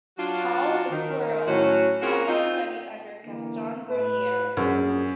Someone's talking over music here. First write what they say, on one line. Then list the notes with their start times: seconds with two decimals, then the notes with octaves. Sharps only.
Paul Becquerel had studied under Gaston Bonnier in Paris.
0.18 F#3 D4 F4 F#4
0.91 D#3
1.47 A2 F#3 C#4 F#4
2.01 C4 C#4 F4 F#4 G#4 A#4
2.28 C4 D#4 F4
3.24 D3 E3 A#3
3.89 A2 B4
4.57 A#1 F#2 A#2 G#4